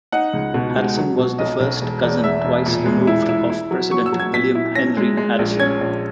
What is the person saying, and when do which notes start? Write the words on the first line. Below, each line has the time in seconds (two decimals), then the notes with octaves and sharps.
Harrison was the first cousin twice removed of President William Henry Harrison.
0.12 D#4 F#5
0.33 C#2
0.54 B2
0.76 G#3
0.97 F#3
1.18 B2
1.38 B1 D#5
1.60 B1
1.81 E1
2.02 E2
2.24 E2 E5
2.45 E1
2.66 A#2
2.86 G#3
3.07 E4
3.29 E4
3.50 E4
3.71 F#3
3.91 F#3 C#6
4.06 E6
4.13 F#3
4.20 G#6
4.34 A#2 B6
4.55 E4
4.75 C#4 A#6
4.97 G#3
5.17 G#3
5.39 A#1
5.59 C#4 G#6
5.81 A#1